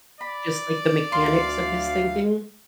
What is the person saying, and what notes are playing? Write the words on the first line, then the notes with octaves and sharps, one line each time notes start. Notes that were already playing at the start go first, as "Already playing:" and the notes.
just like the mechanics of his thinking
D5 B5
D2 F5 C6